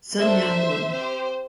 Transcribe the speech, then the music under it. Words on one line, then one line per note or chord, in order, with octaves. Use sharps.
Sun Myung Moon.
A#3 D4 A4 C5 E5
C4 G4 C5